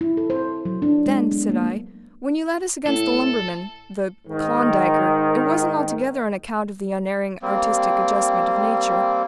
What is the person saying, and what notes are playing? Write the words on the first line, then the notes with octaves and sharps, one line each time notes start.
"Then," said I, "when you led us against the lumberman--the--Klondiker --it wasn't altogether on account of the Unerring Artistic Adjustment of Nature?"
E4
A4
C5
F#3
D4
G#3
B3
A#3
A2 A4
G#2 D#3
G3 A#3 C4